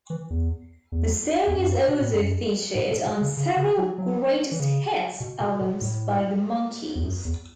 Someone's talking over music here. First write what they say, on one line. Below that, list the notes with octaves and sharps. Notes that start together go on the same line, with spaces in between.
The song is also featured on several "greatest hits" albums by The Monkees.
E3
E2
E2
E2
F#2
B2
A2
F#2
A2
B2
B2
C#3
C#3
C#3
F#3
F#3
E3
C#3
B2
B2
B2
A2
E2
F#2
E2